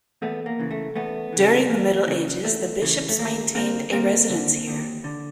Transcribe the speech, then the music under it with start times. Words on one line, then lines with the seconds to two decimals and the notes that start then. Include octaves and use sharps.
During the Middle Ages the bishops maintained a residence here.
0.22 E2 A3 B3
0.46 A#3
0.59 C#3 E3
0.71 A3
0.96 E2 A3 B3
1.33 C#3 E3
1.69 E2 A#3
2.06 C#3 E3
2.44 E2 A3
2.82 C#3 E3
3.09 A3
3.19 D#2 A#3
3.55 D3 A#3 C4
3.92 D#2 A#3 C4
4.29 D3
4.67 D#2
5.04 D3